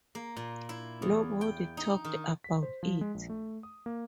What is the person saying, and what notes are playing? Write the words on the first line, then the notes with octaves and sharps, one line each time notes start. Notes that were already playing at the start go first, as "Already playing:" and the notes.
Nobody talked about it.
A#3
A#2
E4
E2
G5
D#4
D#3
B6
C5
F3
G#3
A#1
A3
D#6
A#3